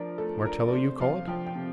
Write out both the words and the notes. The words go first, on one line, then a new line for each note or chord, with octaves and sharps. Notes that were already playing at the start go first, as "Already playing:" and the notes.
Martello you call it?
Already playing: F3 D4 A#4
A3 A4
D4 A#4
D5
C3 C5
F3 F5
F3 G5
G5
C3